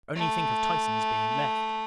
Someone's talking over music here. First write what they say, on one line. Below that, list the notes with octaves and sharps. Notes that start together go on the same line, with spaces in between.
Only think of Tyson's being left!
A3